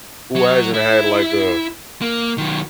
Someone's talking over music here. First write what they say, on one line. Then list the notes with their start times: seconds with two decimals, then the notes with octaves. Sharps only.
who hasn't had like, uh
0.36 F#3
0.74 E4
2.02 A#3
2.38 D#3 F#3